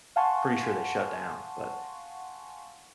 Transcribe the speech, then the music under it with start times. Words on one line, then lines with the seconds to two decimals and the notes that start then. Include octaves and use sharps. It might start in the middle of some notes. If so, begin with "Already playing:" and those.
pretty sure they shut down, but,
0.16 F5 F#5 G#5 A5 C6 C#6